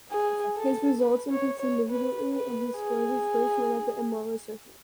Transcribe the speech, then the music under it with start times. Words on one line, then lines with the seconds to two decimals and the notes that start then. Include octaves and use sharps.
His results improved significantly and he scored his first win at the Imola Circuit.
0.12 G#4
0.56 A4
1.00 B4
1.30 C#5
1.59 C#5
1.89 B4
2.33 B4
2.77 G#4